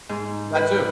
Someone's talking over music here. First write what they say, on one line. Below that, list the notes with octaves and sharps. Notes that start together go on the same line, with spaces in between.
that too.
G#2
B4